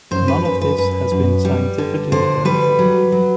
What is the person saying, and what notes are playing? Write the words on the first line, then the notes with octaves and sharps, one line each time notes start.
None of this has been scientifically verified.
F#2 C5
B4
F#2 B4
B4
F#2 B4
F#2
G3
D3
D3 C5
G3 B4
F#3
F#3